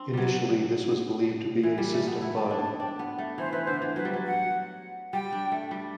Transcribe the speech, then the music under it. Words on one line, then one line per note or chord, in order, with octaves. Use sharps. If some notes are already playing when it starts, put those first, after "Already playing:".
Initially this was believed to be a system bug.
Already playing: C4 D4
F#3 G3
E3
G3
A3
B3
E4 F#5
A5
G5
D4
A5
D4 G5
B3
A3
E3 C5
E3 B4
D3 C5
E3
F#3 B4
G3
F#3
F#5
G3 G5
D4
A3
G3